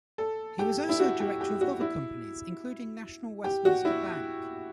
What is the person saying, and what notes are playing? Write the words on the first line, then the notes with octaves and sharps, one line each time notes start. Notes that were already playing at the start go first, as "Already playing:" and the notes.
He was also director of other companies including National Westminster Bank.
A4
G4
E4
F#4
G4
G4
F#4
E4
G4
F#4
E4